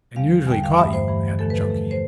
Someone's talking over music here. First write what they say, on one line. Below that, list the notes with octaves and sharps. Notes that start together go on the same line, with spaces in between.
"And usually caught you," added Chunky.
E2 D3 G3 F5
E2 D3 G3 G5
F5
G2 E3 A3 E5
C5
G2 E3 A3
E2 D3 F3 A3 A4
B4
A4
E2 D3 F3 A3
C5